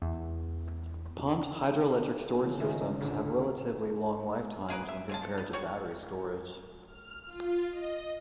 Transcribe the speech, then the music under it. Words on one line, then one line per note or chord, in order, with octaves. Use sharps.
Pumped hydroelectric storage systems have relatively long lifetimes when compared to battery storage.
E2
C#3 E3 F3 A#3
D#3 F4 E5
D2 A#2 D3
A#3 G#4 A#4 B4
E5
C#3 G#3 A5
A4
B3
G3 F#4 C#5
F6
F4
D#5